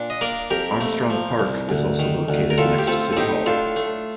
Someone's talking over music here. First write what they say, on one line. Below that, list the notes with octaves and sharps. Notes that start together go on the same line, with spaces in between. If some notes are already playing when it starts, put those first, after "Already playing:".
Armstrong Park is also located next to City Hall.
Already playing: A#2 D4
D#5
A#3 A#4 D5
F2 G4 A#4
A3
F3
C2
D2
D#3
D2
A#4
A2 F4 A4
G4
C4 F4 A4
A4
A2 D#4 G4
D4 F4 A4
A3